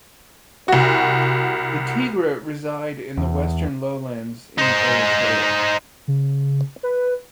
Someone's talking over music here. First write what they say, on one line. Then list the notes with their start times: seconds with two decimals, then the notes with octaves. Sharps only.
The Tigre reside in the western lowlands in Eritrea.
0.68 C2 F#4
3.18 E2
4.58 D#4 C5
6.08 C#3
6.83 B4